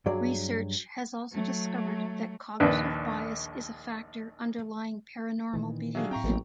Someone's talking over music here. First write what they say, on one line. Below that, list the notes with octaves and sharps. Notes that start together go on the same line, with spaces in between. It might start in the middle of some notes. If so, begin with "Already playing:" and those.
Research has also discovered that cognitive bias is a factor underlying paranormal belief.
G2 F#3 G#4 D5
F#3 A3
A#1 D#2 D4 B4
A#2 D#3 E3
F#3 D4 G#4 E5 F5
A2 C4 G5 A#5 C#6
A1 F#3 A#3 B3